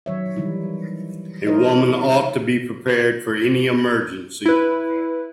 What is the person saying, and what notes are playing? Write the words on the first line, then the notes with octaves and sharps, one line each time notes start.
A woman ought to be prepared for any emergency.
D#3 F#3 C#5 E5
D#3 E3 G3 D#4 E4
D#4 E4 A#4 C5 C#5 D#5
E4 B4